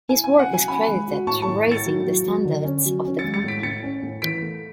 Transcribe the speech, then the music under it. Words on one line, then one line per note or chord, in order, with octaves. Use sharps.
His work is credited to raising the standards of the company.
E4 G#5
G#5
C#4
F#5
F#3 G#5
C#4 G#5 B5
G#3
F#4
A2 A5 C#6
A5 C#6
A2
A2 A6 C#7
F#3
F#3
F#3
D3
C#4
F#3
C#4
A6 C#7
G#3
A6 C#7
A2 B6 D7
A2 A6 C#7
C#4
A2
E3 B6 D7
A3